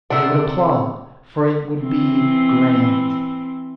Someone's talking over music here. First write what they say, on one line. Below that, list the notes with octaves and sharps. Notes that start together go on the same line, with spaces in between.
They would applaud, for it would be grand.
C3 D4 G#4 A4 D5 E5 F#5
E3 C4